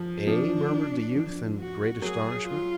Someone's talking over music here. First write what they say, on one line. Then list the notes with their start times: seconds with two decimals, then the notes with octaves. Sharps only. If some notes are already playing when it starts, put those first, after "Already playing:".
"Eh?" murmured the youth in great astonishment.
Already playing: F3
0.27 F3 D4
1.15 F3
1.59 F#4
2.02 F#3 G#4
2.46 F4